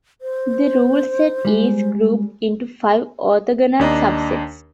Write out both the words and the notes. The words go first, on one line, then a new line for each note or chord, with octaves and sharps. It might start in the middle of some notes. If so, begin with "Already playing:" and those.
The rule-set is grouped into five orthogonal subsets.
C5
G3 G#3
D#2 D4 D#5 A#5